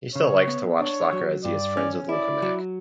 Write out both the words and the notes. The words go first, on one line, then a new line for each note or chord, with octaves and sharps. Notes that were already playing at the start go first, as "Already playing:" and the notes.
He still likes to watch soccer as he is friends with Luca Mack.
C#3 C#5
B3
D4 C#5
F#3
G2 D5
C#4
E4 D5
F#3